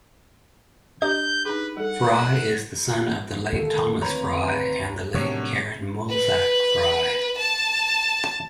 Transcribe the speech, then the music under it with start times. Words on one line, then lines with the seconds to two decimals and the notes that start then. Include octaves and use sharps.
Frye is the son of the late Thomas Frye and the late Karen Mulzac-Frye.
1.02 D4 G4 D#5 A#5 G6
1.45 D#4 G#4 B4
1.77 G3 A4 F#5
3.52 D2 D#3 G#3 A#3 A4
4.02 F3 C4 B4 C#5 A#5 B5
5.14 A2 C3 D#3 F3 F#3 B3 D4 C#5
6.09 B4
7.37 A5